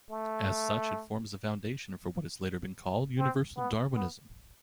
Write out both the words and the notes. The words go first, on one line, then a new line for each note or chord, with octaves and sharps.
As such, it forms a foundation for what has later been called universal Darwinism.
A3
C4
B3
B3